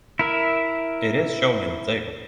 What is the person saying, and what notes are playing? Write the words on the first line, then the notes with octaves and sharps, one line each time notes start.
It is shown in the table.
E4 A#4 E5